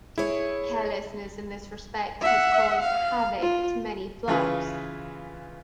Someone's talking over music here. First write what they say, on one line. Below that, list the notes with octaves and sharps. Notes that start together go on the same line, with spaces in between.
Carelessness in this respect has caused havoc to many flocks.
E4 G#4 C#5
E5 F#5
F5
F4
C#3 E3 F4 G#4 B4